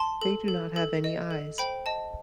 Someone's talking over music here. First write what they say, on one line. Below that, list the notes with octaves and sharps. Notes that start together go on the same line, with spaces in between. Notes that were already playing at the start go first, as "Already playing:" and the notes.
They do not have any eyes.
Already playing: A5 C6
A4
A4
A4
D#5
A4
C5 G5 B5
D#5 A5